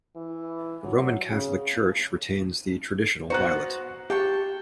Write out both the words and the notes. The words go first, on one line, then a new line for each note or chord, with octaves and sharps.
The Roman Catholic Church retains the traditional violet.
E3
F#3
C#3
B3 F#4 C5 A#5 F#6
G4 F5 G5 A5 C#6